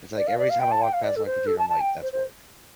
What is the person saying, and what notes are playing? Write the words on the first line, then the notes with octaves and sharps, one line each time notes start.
it's, like, every time I walk past my computer, I'm like, "That's work."
D5
F5
D5
F5
G5
A5
G5
F5
D5
A4
C5
A4
A5
A5
G5
C5
C5